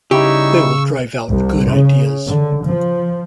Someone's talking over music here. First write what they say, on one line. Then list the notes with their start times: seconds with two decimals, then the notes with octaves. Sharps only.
They will drive out good ideas.
0.11 C#3 G3 D#4 E4 G4 C#6 E6
1.30 C2
1.66 C#3
2.29 D3
2.66 F3